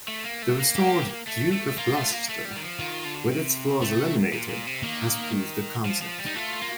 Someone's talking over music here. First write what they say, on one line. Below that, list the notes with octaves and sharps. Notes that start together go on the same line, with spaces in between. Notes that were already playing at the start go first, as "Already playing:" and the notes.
The restored "Duke of Gloucester", with its flaws eliminated, has proved the concept.
A3
A#3
A3
A#3
G4
A3
A3
A#3 F4
A3
A#3
A3
G3
D#3
F3
D#3 F4
D3
C3
A3
A#2
A#2
C3
D#3 A#3
F3
F3
G3
D#4
A3 F4
A#3